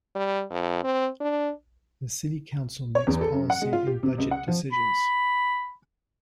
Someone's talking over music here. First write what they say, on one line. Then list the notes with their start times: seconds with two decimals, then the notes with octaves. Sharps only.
The City Council makes policy and budget decisions.
0.16 G3
0.50 F2
0.84 C4
1.21 D4
2.95 C#5
3.07 E2
3.21 A4
3.33 F#2
3.50 F#5
3.62 G#3
3.73 F4
3.87 G4
4.03 C3
4.18 C#2
4.31 F#5
4.48 F3
4.73 B5